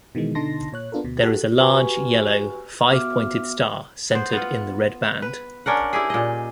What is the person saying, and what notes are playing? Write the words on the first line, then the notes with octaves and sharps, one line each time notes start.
There is a large, yellow, five-pointed star centered in the red band.
B2 D#3 E3 G#3
B2 D3 D#4 A5 C6 A#6
A#2 C#5 F#6
B3 D4 F4 A4 A#4
D2 B2
F#4 G4 A4 F#5
F#4 G4 B4 G#5 C#6
B3 F#4 E5 D6 F6
B3 C5
B3 F4
B4
C#4 D4 A#4 F#5
E4 G4 G#4
A#2 D#5